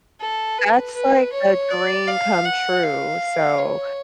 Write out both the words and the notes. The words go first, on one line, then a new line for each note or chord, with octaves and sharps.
That's, like, a dream come true, so,
A4
B4
B4
C#5
D5
F5
F#5
F5
C#5